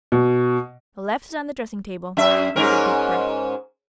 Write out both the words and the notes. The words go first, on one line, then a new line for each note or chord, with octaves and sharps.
"Left it on the dressing-table." He took a deep breath.
B2
F#2 E5
G#2 C#4 A#4